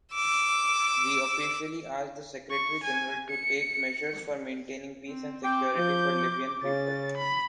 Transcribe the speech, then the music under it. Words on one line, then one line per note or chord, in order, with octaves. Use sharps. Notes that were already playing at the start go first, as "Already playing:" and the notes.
We officially asked the Secretary-General to take measures for maintaining peace and security for Libyan people.
D6 E6
C#6
G#5
C#7
C4
C4 G5 D6
F3 G6
C#3 A6
B5